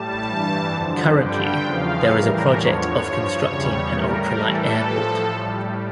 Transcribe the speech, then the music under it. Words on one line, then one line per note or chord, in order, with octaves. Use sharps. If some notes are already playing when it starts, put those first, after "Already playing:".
Currently there is a project of constructing an ultralight airport.
Already playing: A2 G3 A5
G2 E3 G3
F2 D3 F3
G2 D3 G3 G5
E2 C#3 F3 F5
A2 E3 G3 A#4
E2 D3 F3 C#5
G2 F3 C#5
E2 C#3 G3
A2 G3 A#4
A2 E3 G3 A4
A2 F3
A2 G3